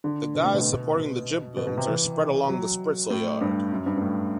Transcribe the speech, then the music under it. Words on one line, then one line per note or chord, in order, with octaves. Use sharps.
The guys supporting the jib-booms are spread along the spritsail yard.
D3
B2
A2
B2
B2
B2
B2
C3
E3
F#3
A2
G2
F#2
G2
G2
A2